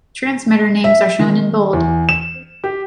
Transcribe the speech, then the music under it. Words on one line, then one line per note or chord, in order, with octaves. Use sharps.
Transmitter names are shown in bold.
E5
D#3
E2
E7
G4